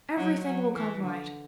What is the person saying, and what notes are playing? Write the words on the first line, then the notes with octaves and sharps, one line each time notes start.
Everything will come right.
F#3
F#3
E3
D3